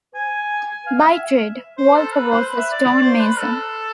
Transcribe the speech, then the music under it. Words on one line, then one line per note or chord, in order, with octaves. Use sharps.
By trade, Walter was a stonemason.
G#5
G#5
F5
E5
C5
A4
B4
C5
B4
E5
D5
D5
C5
B4
A4